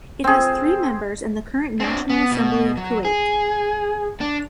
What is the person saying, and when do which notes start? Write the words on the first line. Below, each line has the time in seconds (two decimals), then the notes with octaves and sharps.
It has three members in the current National Assembly of Kuwait.
0.24 C4 G#4
1.80 C4 D4
2.10 B3
2.32 B2
2.77 F#3
3.05 G#4
4.21 D4